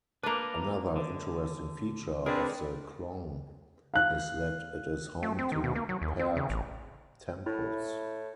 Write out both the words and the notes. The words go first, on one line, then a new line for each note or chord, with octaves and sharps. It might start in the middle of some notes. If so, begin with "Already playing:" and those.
Another interesting feature of the khlong is that it is home to paired temples.
A#3 D4 B4 A#5
D3
C4 D4 G#4 A#4 B4 D5
F5 F#6
A3
C4
D#3
B2
A#3
F#3
D#2
C4
C#3
A1
A2 E4